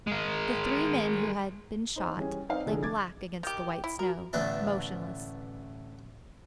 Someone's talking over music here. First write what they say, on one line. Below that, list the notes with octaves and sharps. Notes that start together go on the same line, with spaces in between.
The three men who had been shot lay black against the white snow, motionless.
G#3 A#4
D#4 C5
E3 G3 C#4 G#4
C4 D#4 B4 C5 D5 F5
C2 D3 F3 G#3 G#4 A4
D6 G#6 A6
D#3 G4
E4
F#4 A#4
A1 D3 A3 B3 A5